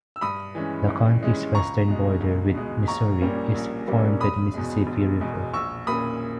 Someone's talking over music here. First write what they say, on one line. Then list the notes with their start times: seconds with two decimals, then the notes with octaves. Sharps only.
The county's western border with Missouri is formed by the Mississippi River.
0.16 E6
0.21 G2 B5 D#6
0.55 E3 G#3 C#4
0.88 G2
1.21 E3 G#3 C#4
1.55 C#2 A#5 C#6
1.88 B2 G#3
2.21 C#2
2.54 B2 G#3
2.88 A#1 A#5 C#6
3.21 A#2 G3 A#3 C#4
3.54 A#1
3.87 A#2 G3 A#3 C#4
4.21 E1 B5 D#6
4.54 E2 B2 G#3
4.87 E1
5.21 E2 B2 G#3
5.53 A#1 C#6 E6
5.87 A#2 A#3 C#4 B5 D#6